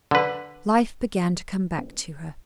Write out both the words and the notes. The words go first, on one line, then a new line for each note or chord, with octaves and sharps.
Life began to come back to her.
D3 B4